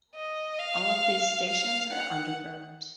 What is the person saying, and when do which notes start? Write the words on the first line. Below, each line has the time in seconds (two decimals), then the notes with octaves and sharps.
All of these stations are underground.
0.15 D#5
0.59 F5
1.49 F5
1.93 F#5